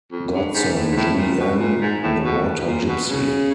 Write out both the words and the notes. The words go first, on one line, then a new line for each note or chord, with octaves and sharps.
Godson, Julie Ann, The Water Gypsy.
F2
G2
G#2
A2
G#2
A2
A#2
B2
A#2
G#2
A2
B2
A#2
B2
C#3